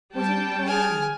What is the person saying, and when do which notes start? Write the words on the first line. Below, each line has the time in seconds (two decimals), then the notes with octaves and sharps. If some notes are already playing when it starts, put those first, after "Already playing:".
What have you brought me?'
0.15 G3 G5 A5
0.66 G#4 G#5 F6